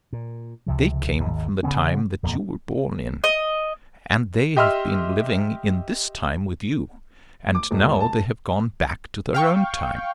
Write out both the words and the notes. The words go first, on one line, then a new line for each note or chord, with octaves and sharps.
They came from the time that you were born in, and they have been living in this time with you, and now they have gone back to their own time.
A#2
C#2 C3 F3
G#1 D#2
C#3 F3 B3 C#4
D#1 F2 G3 A#3
D#5
G4 D#5 E5 C6 E6 F6
D6
E1
A5
F5 G5 C#6